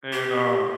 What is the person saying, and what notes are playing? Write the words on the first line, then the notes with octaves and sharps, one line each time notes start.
and, um,
G4